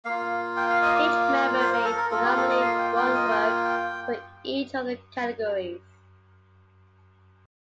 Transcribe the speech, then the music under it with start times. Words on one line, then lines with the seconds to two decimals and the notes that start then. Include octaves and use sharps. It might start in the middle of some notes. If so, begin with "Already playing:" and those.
Each member may nominate one work for each of the categories.
0.05 A#3 F4 F5
0.57 G5
0.70 F5
0.82 D#5
0.95 D5
1.60 C5
1.72 A#4
1.84 A4
1.97 A#4
2.11 A#3 F4 A4
2.23 G4
2.36 A4
2.50 D#5
2.62 F5
2.79 G5
2.96 G5
3.14 D#5
3.30 G5
3.64 G5